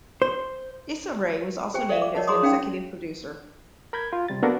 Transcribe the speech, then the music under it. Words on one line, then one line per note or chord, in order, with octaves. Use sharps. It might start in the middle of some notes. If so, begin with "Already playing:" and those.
Issa Rae was also named as an executive producer.
C5
G4 C5 G5 G#5
A4 D5 E5 F5
D6
A#4 C#5 D#5 F#5 A5
G#4 A#5 C6 D6 D#6
C#4 D#4 F5 G5
A#4 B5 G6 G#6
F4
C3 G3 A6
A#3 B3 D4 F#4 A4 A#4